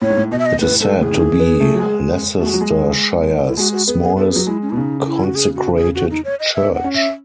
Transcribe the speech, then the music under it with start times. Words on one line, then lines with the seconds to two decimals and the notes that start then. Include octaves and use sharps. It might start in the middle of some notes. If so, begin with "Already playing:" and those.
It is said to be Leicestershire's smallest consecrated church.
0.02 A2 C#5
0.10 G#2
0.17 A2
0.31 B2 D#5
0.39 E5
0.46 D#5
0.61 A2 B4
0.80 G#2 A4
1.00 A2 G#4
1.11 D#3
1.21 E3
1.40 B3
1.60 A3
1.75 F#3
1.80 G#3
2.40 A3 F#4
2.46 G#3
2.54 F#3
2.61 G#3
3.47 E4
3.57 G#3 F#4
3.72 F#4
3.87 B3 G#4
4.02 G#4
4.17 B3 A4
4.32 F#3 G#4
4.47 G#3 E4
4.62 C#4
4.70 B2 E4
4.76 C#3 D#4
5.06 E4
5.24 F#4
5.35 G#4
5.56 F#4
5.76 G#4
5.95 F#4
6.10 D#4
6.25 C#5
6.40 D#5
6.55 E5
6.74 F#5
6.84 C#4
6.95 E5